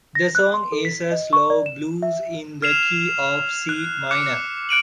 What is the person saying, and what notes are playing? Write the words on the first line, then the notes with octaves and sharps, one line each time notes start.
The song is a slow blues in the key of C minor.
A#6
F#6
C6
A4
B6
D#5
C#6
D5
E7
E5
F6 G#6 C7 E7 F7
F#6
D6 F#6 C#7
F#6 D7 D#7 F#7